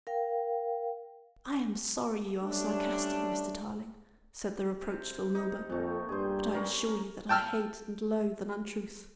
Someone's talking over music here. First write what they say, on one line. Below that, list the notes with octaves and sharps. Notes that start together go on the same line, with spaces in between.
"I am sorry you are sarcastic, Mr. Tarling," said the reproachful Milburgh, "but I assure you that I hate and loathe an untruth."
A#4 F5 G5
G3 A3 C#4 D4
C3
D#4
F2 A#2 A3
G2 G3 G#4 C5
C3 C#4 A#4
G5 A5 E6 F6